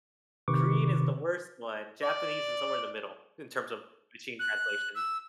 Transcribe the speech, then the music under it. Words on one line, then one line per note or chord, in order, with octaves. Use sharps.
Korean is the worst one. Japanese is somewhere in the middle, in terms of machine translation.
C3 D#3 B4 C#6 D6
D5
F#6
E6